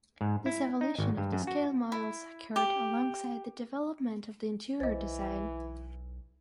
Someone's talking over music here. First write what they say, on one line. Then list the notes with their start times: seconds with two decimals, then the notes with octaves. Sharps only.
This evolution of the scale models occurred alongside the development of the interior design.
0.21 G#2
0.46 E4
0.81 D#4
0.98 G#1
1.17 G2
1.32 F#2
1.47 F#4
1.92 E4
2.56 G4
4.80 B1 E3 C5 D#5